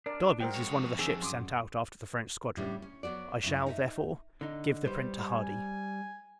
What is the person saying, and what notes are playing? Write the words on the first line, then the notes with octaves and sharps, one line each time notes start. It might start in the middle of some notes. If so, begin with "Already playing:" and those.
Darby's is one of the ships sent out after the French squadron; I shall, therefore, give the print to Hardy.
D4 A#4 D5
F#3 G#3 A#4 C5 G5
F2 C#5
D#3 C4 D4 G#4 E6
F#2 C6 D6 D#6
A2 C#3 G3 D4
C#4
F#3 B3 F#4 D5
F#2 C#3 E4
D#4 A4 E5
D3 D#4
G3 B4 C5
G#5